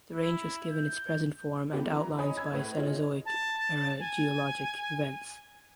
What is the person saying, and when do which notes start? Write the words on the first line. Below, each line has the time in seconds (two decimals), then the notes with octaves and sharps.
The range was given its present form and outlines by Cenozoic era geologic events.
0.13 E4
0.72 G6
1.73 B3 C4 E4 G4 A4
1.92 E3 A#5
2.19 C#5 D#5 G#5 A#5 B5 D#6
2.37 B5 E6 G#6
2.52 A2 B4
2.77 D#4 F4 G#4 C#5 D#5
3.25 A5
4.00 G#5